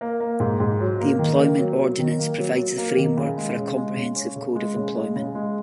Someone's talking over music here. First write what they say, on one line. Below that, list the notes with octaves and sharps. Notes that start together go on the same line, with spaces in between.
The Employment Ordinance provides the framework for a comprehensive code of employment.
A#3
A#3
G#2
G#2
F#3
A#3
D#3
A#3
F#3
F#3
D#3
A#3
F#3
F#3
A#3
D#3
C#3
G#3
C#3
G#3
C#3
C#4
C#3
G#3
C#3
G#3
C#3
G#3